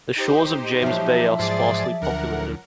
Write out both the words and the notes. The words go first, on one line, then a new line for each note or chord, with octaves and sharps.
The shores of James Bay are sparsely populated.
D#4 G4 C5
F3 F#3 E5
G#2 G#4 C5 D5 A6
D2 A#4 F#5